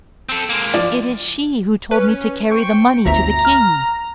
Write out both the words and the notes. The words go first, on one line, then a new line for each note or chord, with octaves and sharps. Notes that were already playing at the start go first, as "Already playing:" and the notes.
"It is she who told me to carry the money to the king."
C4 A4
G#3 A#3
F3 D5
C#4 B4
C5 G5 C#6
G1 D2 E5 A#5
F6